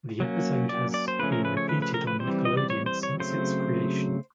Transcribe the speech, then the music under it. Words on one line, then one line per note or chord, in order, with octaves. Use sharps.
The episode has been repeated on Nickelodeon since its creation.
F#3 A#3 C#4
D5
D5
C5
C#3 F3 A3 C#4 B4
A#4
B4
C#5
B4
B4
A#4
B4
E3 G3 C4 C5
D#5
D5
C#5
C5
C#5
C#3 F#3 A3 C4 C5